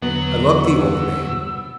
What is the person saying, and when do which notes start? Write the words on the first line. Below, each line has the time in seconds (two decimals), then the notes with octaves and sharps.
I loved the old man.
0.02 E2 D3 F#3 B3 F#7
0.64 E6